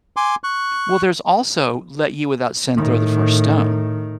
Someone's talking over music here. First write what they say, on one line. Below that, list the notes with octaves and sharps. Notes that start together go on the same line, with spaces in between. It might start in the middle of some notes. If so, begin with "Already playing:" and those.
Well, there's also “Let you without sin throw the first stone,”
G#5 C6 D6
C#6 F#6
A2 D#3